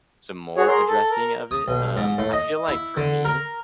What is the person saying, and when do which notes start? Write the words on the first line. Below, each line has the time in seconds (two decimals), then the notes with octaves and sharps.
some more addressing of it. Um, I feel like for me,
0.57 F#4 G#4 C#5
0.68 G#4 A#4 C6
0.88 A4
1.11 A#4
1.51 D#6
1.68 B1
1.96 G#2
2.18 A2
2.33 D#5
2.68 E4
2.97 D3
3.25 A#4